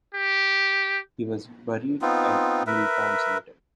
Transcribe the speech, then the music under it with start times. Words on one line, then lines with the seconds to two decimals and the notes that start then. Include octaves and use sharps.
He was buried at Milltown Cemetery.
0.14 G4
2.02 B3 C4 D#4 F4
2.67 A#4 B4 E5